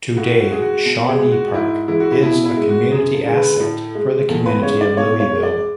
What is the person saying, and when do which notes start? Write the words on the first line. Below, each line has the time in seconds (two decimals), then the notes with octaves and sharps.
Today, Shawnee Park is a community asset for the community of Louisville.
0.17 A2 F#4
0.40 F#4
0.51 G#3 G#4
0.62 F#4
0.86 B2
1.08 G#4
1.20 G#3
1.31 F#4
1.53 G#2 E4
1.88 E3 G#3 E4
2.00 F#4
2.11 E4
2.23 B2 E4
2.45 E4
2.57 G#3
2.69 F#4
2.91 F#2 G#4
3.14 A4
3.26 D3 G#3
3.37 B4
3.60 A2 A4
3.95 G#3
4.29 E2 A4
4.46 B4
4.63 C#3 G#3 C#5
4.81 D5
4.97 B2 C#5
5.20 C#5
5.32 G#3
5.43 D5